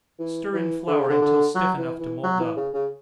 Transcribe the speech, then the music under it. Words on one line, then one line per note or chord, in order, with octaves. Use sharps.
Stir in flour until stiff enough to mould up.
E3
E3
D3
C#3
D3
D3
F#3
E3
E3
F#3
E3
C#3
C#3